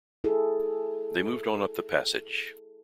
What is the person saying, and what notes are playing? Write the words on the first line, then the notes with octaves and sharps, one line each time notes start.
They moved on up the passage.
E4 G#4 A4